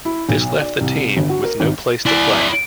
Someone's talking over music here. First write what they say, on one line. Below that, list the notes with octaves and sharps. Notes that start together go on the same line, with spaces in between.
This left the team with no place to play.
E4
B1
D5
C2
G1
F#4
A#4
G#1
E4 D5